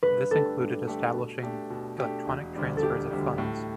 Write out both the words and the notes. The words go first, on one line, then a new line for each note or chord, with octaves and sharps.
This included establishing electronic transfers of funds.
G2 B4
D3 A3 D4 G4 A4
G2
D3 A3 D4 G4
B2
A3 D4 G4
B2
A3 D4 G4
E1
D2 D3 G3
A4
E1 G4
D2 D3 G3
A2